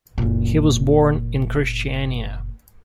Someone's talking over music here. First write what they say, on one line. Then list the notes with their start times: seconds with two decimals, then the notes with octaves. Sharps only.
He was born in Kristiania.
0.18 F#1 A#2